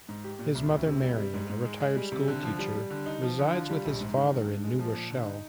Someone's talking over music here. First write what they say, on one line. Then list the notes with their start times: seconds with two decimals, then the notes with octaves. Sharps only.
His mother, Marian, a retired school teacher, resides with his father in New Rochelle.
0.09 G#2
0.24 G4
0.39 A#2
0.55 C2
0.70 D2
0.87 C3
1.03 G3
1.18 G3
1.34 G#2
1.50 G#2
1.65 G#3
1.80 G#3
1.96 G3
2.12 C3
2.28 D3
2.43 F3
2.59 G3
2.75 G3
2.90 D3
3.06 D#4
3.22 F3
3.38 D3
3.54 F4
3.70 G3
3.85 A#1
4.01 G#2
4.17 D#3
4.32 G2
4.47 G2
4.64 G#3
4.79 F3
4.95 A#2
5.10 D3
5.26 D#4